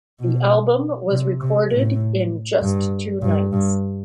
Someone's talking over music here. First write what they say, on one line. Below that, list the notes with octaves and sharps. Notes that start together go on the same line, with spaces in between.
The album was recorded in just two nights.
B2
C3
C3
A2
G2
G2
G2